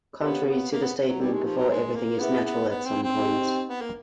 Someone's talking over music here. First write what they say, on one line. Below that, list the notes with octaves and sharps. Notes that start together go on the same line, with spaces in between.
Contrary to the statement before, everything is natural at some point.
B3 G4 A#4 C#5 F5
B3
A#3
B3
F#3
G3 D#4 G4 A#4
G#3
F3
F#3
G#3
A#3
B3 C#4 E4 G#4 B4 E5
B3
B3
C4
C4
D#4 G4 C5 D#5
B3
A#3